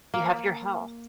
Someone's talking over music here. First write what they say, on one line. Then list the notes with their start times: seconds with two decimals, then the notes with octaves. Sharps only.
You have your health.
0.14 A#3